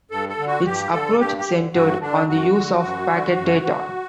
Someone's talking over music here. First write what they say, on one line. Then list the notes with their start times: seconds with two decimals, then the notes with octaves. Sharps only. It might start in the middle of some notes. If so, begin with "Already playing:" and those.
Its approach centred on the use of packet data.
0.11 G2 A4
0.29 A4
0.38 D3
0.47 F#4
0.65 G2 G4
0.92 D3 A4
1.20 G2 G4
1.38 G4
1.47 D3
1.74 G2 F#4
2.01 D3 D4
2.28 F#2 F#4
2.55 D3
2.83 F#2
3.10 D3
3.37 F#2
3.64 D3